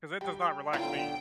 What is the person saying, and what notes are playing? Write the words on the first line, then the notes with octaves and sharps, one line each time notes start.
'Cause it does not relax me.
G3 G4 G5
B1 D3 E4 F4 C5 G5